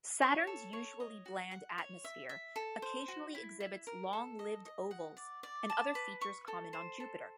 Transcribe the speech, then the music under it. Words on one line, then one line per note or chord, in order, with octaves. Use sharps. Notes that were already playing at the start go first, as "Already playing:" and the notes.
Saturn's usually bland atmosphere occasionally exhibits long-lived ovals and other features common on Jupiter.
C#5
A4
C#5
D#5
F#4
F#5
C#5
E5
E5
A4
C5
F#4
E4
E4
A#4
A4
D#5
D#5
F#5
D5
D5
A5
B4
C#6
A4
C5
A4